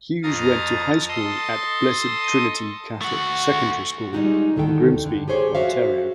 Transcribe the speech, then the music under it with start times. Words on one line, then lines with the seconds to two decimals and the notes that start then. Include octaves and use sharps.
Hughes went to high school at Blessed Trinity Catholic Secondary School in Grimsby, Ontario.
0.23 F2 F5 A#5 D#6 A6
1.08 A4 D#5 A5 C6 D#6
3.01 A3 F#4
4.13 G3 G#3 A#3 D#4 F#4 G4
4.56 D2 D3 D#3 A4 G5
5.02 F2 D3
5.28 G4 G#4 C5 C#5
5.55 F#4 E5 F5